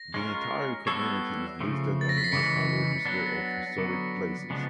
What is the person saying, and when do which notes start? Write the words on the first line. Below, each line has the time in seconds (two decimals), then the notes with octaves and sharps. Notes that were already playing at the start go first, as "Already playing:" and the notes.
The entire community is listed on the National Register of Historic Places.
Already playing: A#6
0.14 G#3 C#4 F4 A#4
0.87 G3 B3 E4 A4 C#5 C7
1.60 C#3 F3 A3
2.01 A6
2.09 A#6
2.18 B6
2.24 C7
2.32 C#3 E3 G#3 B6 C#7
3.05 F#3 B3 D4
3.78 D3 F#3 B3
4.50 C#3 F3 G#3 B3 D4